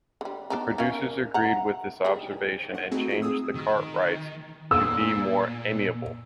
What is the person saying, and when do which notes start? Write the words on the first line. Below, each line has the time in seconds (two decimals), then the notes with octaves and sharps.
The producers agreed with this observation and changed the Cartwrights to be more amiable.
0.21 D3 G3
0.50 B3 D4 D#4
0.78 C#4 A#4 F5
1.34 F#5 A#5
2.05 G3 G#4
2.75 F#5
2.91 A3 C4 D#4 E4 F#4 G#4
3.09 G#3 F4 G#4
3.22 G#4 D#6 E6
3.55 D#3
4.71 A#2 E6